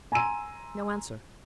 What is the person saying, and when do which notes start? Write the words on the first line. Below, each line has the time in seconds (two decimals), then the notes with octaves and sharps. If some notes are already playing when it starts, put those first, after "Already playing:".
No answer.
0.12 G#5 A#5 C6 E6 D#7